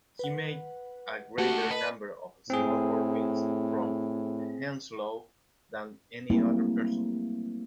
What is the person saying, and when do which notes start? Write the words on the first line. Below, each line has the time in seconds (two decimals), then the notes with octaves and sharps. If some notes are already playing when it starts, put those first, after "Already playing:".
He made a greater number of small borrowings from Henslowe than any other person.
0.19 B4 F#5
1.38 A3 A#3 F#4 G4 F#5
1.71 B4 D#5 A5
2.50 A2 C4 G#4
6.30 F#3 G3 A3 A#3 C4 E4